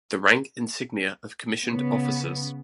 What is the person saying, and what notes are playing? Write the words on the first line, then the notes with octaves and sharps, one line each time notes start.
The rank insignia of commissioned officers.
C#3 B3